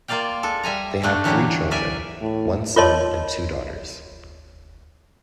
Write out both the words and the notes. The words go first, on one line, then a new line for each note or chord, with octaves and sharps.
They had three children, one son and two daughters.
A#3 F4 D5 F5 G5
G#3 A4
G3 E5 G#5 A#5
A3 D4 F#4
D3 E3 F#3 A#3 C#4 G4
A#4 D5 E5 G#5
A2
F4 A#4 C#5 D#5 A5 C6